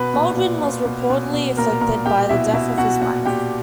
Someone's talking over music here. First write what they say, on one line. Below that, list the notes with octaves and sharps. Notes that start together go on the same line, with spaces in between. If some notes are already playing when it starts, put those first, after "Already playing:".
Baldwin was reportedly afflicted by the death of his wife.
Already playing: B2 B4 B5
A#2
A#2
A#2
B2
B2
B2
A#2 A#4 A#5
A#2 A#4 A#5
A#2 G4 G5
B2 E4 E5
B2 E4 E5
B2 F#4 F#5
A#2 F#4 F#5
A#2 G4 G5